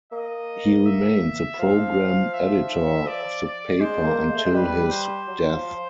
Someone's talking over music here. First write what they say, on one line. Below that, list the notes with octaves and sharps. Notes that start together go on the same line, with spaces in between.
He remained the programme editor of the paper until his death.
A#3 D#5
E5
F3 F5
E5
D5
D5
G#3 C5
A#3
G#3
A3
G#3
G3 B4
C5
F#3
F3